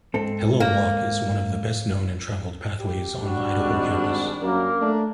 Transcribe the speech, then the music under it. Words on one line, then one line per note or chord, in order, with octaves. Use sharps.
"Hello Walk" is one of the best-known and traveled pathways on the Idaho campus.
G#2 C4 A4
A#3
G4
G3 D4 F#4
G#1 G#3
G#4
F#2 A#3 A#4
A3 D4